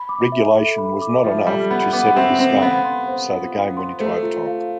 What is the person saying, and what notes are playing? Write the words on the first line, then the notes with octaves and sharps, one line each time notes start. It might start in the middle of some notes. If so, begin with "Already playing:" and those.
Regulation was not enough to settle this game, so the game went into overtime.
Already playing: B5
D6
E5
A4
B5
D6
F3 E5
G3 A4
B3 B5
B3 D6
C4 E5
C4 A4
B3 F5
C6
C5
F4
F5
C6
A3 C5
F4
F5